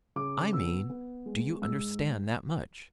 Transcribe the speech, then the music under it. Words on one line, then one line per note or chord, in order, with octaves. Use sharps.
"I mean, do you understand that much?"
C#3 D6
B3 E6
B3
G#3
G#2 E6